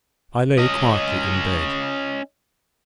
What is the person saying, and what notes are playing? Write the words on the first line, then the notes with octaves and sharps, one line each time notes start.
I lay quietly in bed.
C#4 D#5